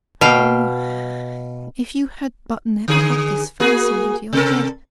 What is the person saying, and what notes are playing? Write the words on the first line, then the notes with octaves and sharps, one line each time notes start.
'Ah! if you had but never got this fancy into your head!
B2 F5 G5
D3 G#4
A#3 F#4 G#4
C3 A4 A#4